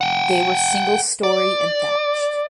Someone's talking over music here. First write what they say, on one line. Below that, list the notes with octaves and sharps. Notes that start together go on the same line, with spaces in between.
They were single storey and thatched.
F#5 G5
D5